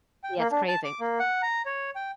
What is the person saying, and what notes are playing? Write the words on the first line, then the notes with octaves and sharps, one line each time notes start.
Yeah, it's crazy.
G5
A#3
D4
A5
D6
A#3
F#5
A#5
C#5
G5